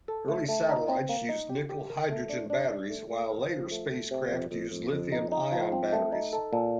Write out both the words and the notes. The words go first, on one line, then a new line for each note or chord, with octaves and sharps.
Early satellites used nickel-hydrogen batteries, while later spacecraft use lithium-ion batteries.
A4
A3
A3
D#4
C4
A#3
D#4
G4
G4
A#4
A3
D4
D4
D4
A3
A3
A#4
F3
A3
A3
C3
F2
F2
F2
F2
D#4
D#4
F3
C4
A3
D#4
A4
A#2